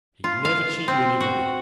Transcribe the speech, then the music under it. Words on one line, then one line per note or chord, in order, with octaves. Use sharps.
He never cheated anybody.
F4
F5
C4
F#4